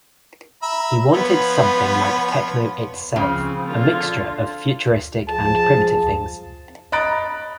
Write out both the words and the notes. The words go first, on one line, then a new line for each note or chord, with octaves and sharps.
He wanted something like techno itself, a mixture of futuristic and primitive things.
E5 A#5 B5
F3 B3 C#5 B5
C#3 F3 C4
D3 F4
F3 G#4 A5
D#5 A#5 B5 F#6 A6 D7